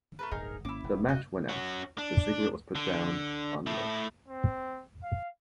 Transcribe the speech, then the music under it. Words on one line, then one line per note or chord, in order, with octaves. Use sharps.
The match went out, the cigarette was put down unlit.
A3 A#4 B4
D1 G1 D#4 G#4 A#4
G#1 A#3 C#4 E4 D6
E1 E2
F#4 D#5
C#4 F#4
D4
D3
A3 E4
C4
F5